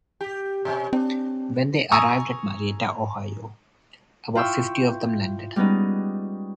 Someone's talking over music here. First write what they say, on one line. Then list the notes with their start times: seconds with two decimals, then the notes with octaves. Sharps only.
When they arrived at Marietta, Ohio, about fifty of them landed.
0.21 G4
0.65 B2 C#4
0.93 C4 D4
1.92 G#5 A#5 C#6 D#6 E6
4.35 E4 F4 F5 G5 C#6 E6
5.56 G3 G#3 B3 C#4 D#4